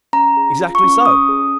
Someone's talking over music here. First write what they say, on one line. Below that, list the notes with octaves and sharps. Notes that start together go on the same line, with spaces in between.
"Exactly so."
C#4 A#5
G#4
F4
C#6
C#4
C#4 D#6
G#4